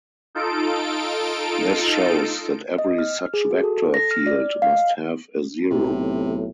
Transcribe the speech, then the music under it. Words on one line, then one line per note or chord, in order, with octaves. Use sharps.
This shows that every such vector field must have a zero.
D#4 F4 A4 D7
D#5
F6
G#4
F#4
A4
A4
A#6
F6
D5
F5
D#5
B1 A2 C3